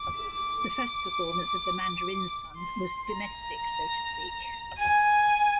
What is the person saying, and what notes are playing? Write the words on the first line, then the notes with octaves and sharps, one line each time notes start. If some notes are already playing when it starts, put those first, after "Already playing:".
The first performance of "The Mandarin's Son" was "domestic," so to speak.
Already playing: D6
D6
C6
A#5
G#5